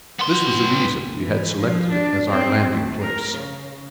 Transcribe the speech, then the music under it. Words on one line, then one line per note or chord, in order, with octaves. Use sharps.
This was the reason we had selected it as our landing place.
B3 C6
E3
F3
D4
C4
A3
A#4
C#3